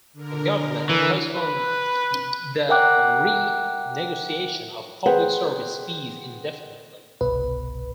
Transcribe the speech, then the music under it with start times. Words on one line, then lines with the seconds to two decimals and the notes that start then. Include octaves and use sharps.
The government postponed the renegotiation of public service fees indefinitely.
0.13 D3 A#4
0.89 E3
1.35 B4
2.69 A#4 E5 F#5 G5 D6 F#6
5.06 G#4 B4 C5 F#5 G5
7.21 G1 C2 B2 B4